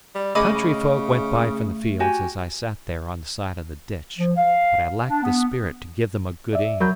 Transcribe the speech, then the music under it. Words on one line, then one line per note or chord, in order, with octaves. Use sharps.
Country folk went by from the fields as I sat there on the side of the ditch, but I lacked the spirit to give them a good-e'en.
G3
C#3 A3 G#4 D#5 B5 D6
F#4 G4 G#5
F3
F5
D4
B3
D5 E5
F#3 A#4 B5 G6